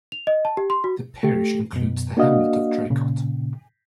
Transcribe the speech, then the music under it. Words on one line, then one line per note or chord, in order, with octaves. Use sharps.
The parish includes the hamlet of Draycott.
F7
D#5
A5
G4
C6
F#4
A3 G4
F#2 B2
A#3 D4 F#4 D#5 F5
A#2 C#3